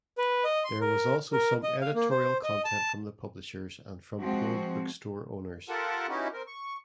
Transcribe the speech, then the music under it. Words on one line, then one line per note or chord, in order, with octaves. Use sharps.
There was also some editorial content from the publishers, and from polled bookstore owners.
B4
D#5
C6
A#4
A#4
D#5
F5
A#3
C5
D#5
A5
F3 G#3 C4 F#4
F4 G4 A4 A#4 F#5 A5
B3 C#4 D#4 E4 F#4 G4
C4 A#4
C#6